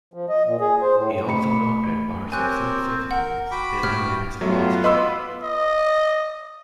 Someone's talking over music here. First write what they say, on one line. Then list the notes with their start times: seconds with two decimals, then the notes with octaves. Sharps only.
He also adopted parts of Swiss citizen Billy Meier's philosophy.
0.14 F3
0.29 D#5
0.45 A#2
0.61 G#4
0.82 C5
0.96 A2
1.28 A3 B5 C#7
2.32 C4 G4 A#4 C#5 G#5 F#6
3.11 A#4 F#5
3.52 F#4 G5 B5 D6
3.83 A2 F6
4.41 F#3 A3 B3 F4
4.84 B4 D#5 B5 C6 D6 E6
5.43 D#5